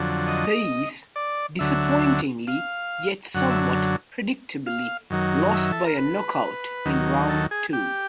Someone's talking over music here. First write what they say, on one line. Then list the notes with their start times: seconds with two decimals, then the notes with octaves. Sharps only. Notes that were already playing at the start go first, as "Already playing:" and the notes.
Paez disappointingly yet somewhat predictably lost by a knockout in round two.
Already playing: F2 D3 F#3
0.28 D#5
1.16 D5
1.59 D2 D3 F#3 E5
2.47 F5
3.34 F#2 D3 F#3 F#5
3.50 E5
4.67 F5
5.10 F#2 D#3 F#3
5.53 E5
5.72 A4
5.85 A#4
5.98 B4
6.85 D#2 D#3 F#3
7.29 A4
7.51 G#4
7.73 G4